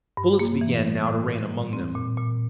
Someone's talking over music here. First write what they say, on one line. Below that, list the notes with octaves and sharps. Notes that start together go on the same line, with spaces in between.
Bullets began now to rain among them.
G2
A#3
E3
G3
A2
A2
G3
C4
A#2
A#2